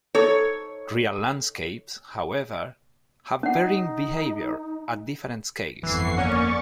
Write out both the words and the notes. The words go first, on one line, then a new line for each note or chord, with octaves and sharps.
Real landscapes however, have varying behaviour at different scales.
D#4 A4 C5 C#5
C#4 D#4 F#5
G1 F2 E3 F#5 C#6 C7
A#3 C#4 D5 C#6 A6